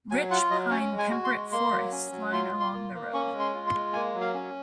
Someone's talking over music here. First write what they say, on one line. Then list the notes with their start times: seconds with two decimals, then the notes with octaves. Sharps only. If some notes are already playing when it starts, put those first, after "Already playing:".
Rich pine temperate forests line along the road.
0.11 F#3 G#5
0.30 F4 F#5
0.50 F#3 D#5
0.71 C#4 C#5
0.92 G#3
0.99 G#5
1.11 F#4
1.24 C6
1.32 G#3
1.52 A#3 C6
1.71 F#3
1.92 C#4
2.12 F#3
2.32 F4 C6
2.52 F4
2.60 C6
2.73 A#3
2.94 A#3
3.13 C#4 C#6
3.33 G#3
3.40 C6
3.54 F4
3.67 C6
3.74 G#3
3.93 A#3 G#5
4.14 F#3
4.21 F5
4.34 C#4